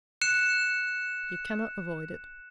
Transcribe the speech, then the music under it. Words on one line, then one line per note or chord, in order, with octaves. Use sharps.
You cannot avoid it.
F#6 C#7 E7